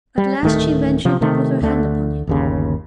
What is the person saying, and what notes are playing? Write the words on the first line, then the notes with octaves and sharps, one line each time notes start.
At last she ventured to put her hand upon him.
G3
D1 D#3 A3
C3 F3
C3 D#3 A3
D2 D3 A3
G1 D#2 C#3